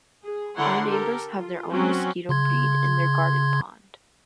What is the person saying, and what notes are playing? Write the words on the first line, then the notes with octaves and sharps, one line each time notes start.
Our neighbors have their own mosquito breed in their garden pond.
G#4
D3 E4 A#4 C#5 F#5 C6
G4 A4 A#4
F4
F#3 C4 C#4 F#4
C#3 C6 G#6